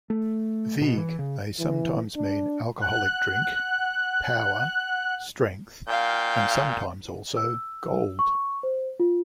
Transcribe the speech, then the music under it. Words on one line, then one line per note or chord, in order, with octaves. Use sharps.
"Veig" may sometimes mean "alcoholic drink", "power, strength", and sometimes also "gold".
A3
B2
E3
C#3
E3
D4
F#5 F#6
A#2 F5 G5
E6
C#6
C5
F4